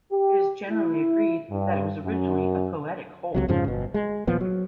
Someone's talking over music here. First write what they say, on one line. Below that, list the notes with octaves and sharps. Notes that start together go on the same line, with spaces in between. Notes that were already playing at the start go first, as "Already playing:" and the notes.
It is generally agreed that it was originally a poetic whole.
G4
E4
G2
F#2
C#2 C3 F#3
F2 G#2 C#3 F3
G1 B2
G#3
D#1 A#2 F3 B3
F#3